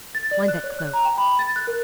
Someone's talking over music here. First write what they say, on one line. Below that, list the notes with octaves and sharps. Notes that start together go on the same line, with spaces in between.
Mind that cloak!
A6
D5
F#6
C#5
F#6
A#5
G5
B5
A6
F#6
A#4